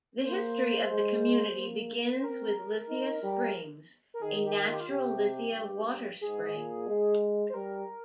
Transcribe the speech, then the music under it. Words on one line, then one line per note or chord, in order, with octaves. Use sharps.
The history of the community begins with Lithia Springs, a natural lithia water spring.
A#3 C5
G#3
A#3
C5
C4 A#4
D#4
G3
A#4
D#3 G#4
G4
G#4
G4
F4
G4
F4
C3 G4
G2
G#2 G#4
A#2
G#3
C5
G3 A#4